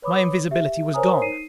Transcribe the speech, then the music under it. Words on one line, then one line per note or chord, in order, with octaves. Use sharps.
My invisibility was gone!
B4 C#5 B5 D6 D#6
G4 E5
A#4 C5 C#5 G#5 A#5 D#6
D#4 C7 D#7